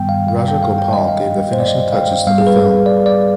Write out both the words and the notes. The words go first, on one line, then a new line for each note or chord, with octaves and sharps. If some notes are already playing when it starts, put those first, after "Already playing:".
Rajagopal gave the finishing touches to the film.
Already playing: G2 D#3 G3 B3 G5
F5
F5
G5
F5
G5
D#5
F5
C5
D5
D#5
F5
G5
G#2 G3 B3 F5
G#4
B4
B4
D5
D5